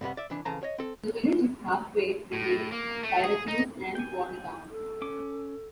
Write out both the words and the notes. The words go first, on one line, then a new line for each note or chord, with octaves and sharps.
The village is halfway between Syracuse and Watertown.
G2 C3 G3 B3
D5 E5
C2 E3 D4
F2 C#3 E3 A5 A#5
C#5 D#5
C4 A4
A2
A#3
A3
G#4
D#4
G5 G#5
A4
C#4 D6